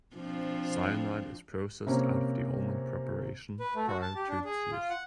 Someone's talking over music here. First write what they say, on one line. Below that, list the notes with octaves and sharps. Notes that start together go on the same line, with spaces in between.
Cyanide is processed out of the almond preparation prior to its use.
F3 C4 D4
C3 A#3 C#4
B4
A3
F#4
A5
G4
D4
G#4
F4
F#5